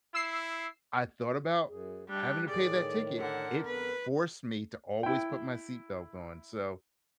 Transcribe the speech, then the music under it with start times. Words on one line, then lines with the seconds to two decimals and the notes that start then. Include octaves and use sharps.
I thought about having to pay that ticket. It forced me to always put my seat belt on, so,
0.15 E4 E6 C7
1.68 F#2 G#4
2.09 G3 D4 F#6
2.49 A2 D#3 G#4 D5
3.18 D3 A#4 F#5
3.64 F2 B3 B4
5.03 E4 G5